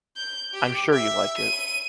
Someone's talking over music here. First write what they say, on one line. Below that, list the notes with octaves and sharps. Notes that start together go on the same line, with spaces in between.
I’m sure you like it.
G6
G4
E5
D#7